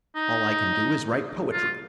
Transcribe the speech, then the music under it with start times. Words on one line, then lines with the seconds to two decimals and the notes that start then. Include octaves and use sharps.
All I can do is write poetry.
0.16 D#4
1.53 F4